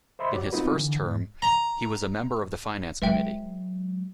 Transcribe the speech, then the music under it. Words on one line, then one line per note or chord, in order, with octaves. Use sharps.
In his first term, he was a member of the Finance Committee.
C5 D#5 E5 B5 C6
F#4 G4 C#5 D5
B3 C4 D#4 F4 F#4 B4
D3 E3
G#2
A#5
F#3 G#3 B4 E5 G5